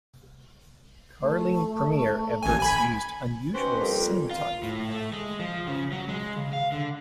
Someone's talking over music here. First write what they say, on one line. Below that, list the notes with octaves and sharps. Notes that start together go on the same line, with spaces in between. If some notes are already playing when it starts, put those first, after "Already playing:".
Carling Premier adverts used unusual cinematography.
A3
A1 G#5
G#5 B5
C4 C#4 D#4 F#4 B4 C5
F2 G3 A#3
F4
A2
A3
G#3
F3
C#3
F#3
G#3
C#3
F5
D3